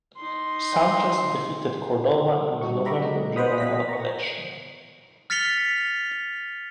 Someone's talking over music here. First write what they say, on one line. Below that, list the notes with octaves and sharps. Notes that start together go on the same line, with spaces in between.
Sanchez defeated Cordova in the November general election.
D#4 C6
G3 D#4 F#4 C#6
G4 E5 A#5 B5 C#6 D6
F#3 G#3 A3 D#4
C5 D#5 B5 D#6
B2 D#5 B6
A#5 C#6
F6 A6 B6 C#7 F7 G7